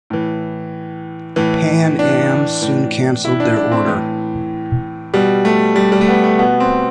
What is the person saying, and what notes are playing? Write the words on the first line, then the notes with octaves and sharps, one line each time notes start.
Pan Am soon canceled their order.
A2 E3
A2 E3
D4
A2 E3
E4
D4
D4
C4
A2 E3
B2 G3
A3
G3
G3
A3
B3
A3
B2 B3
C4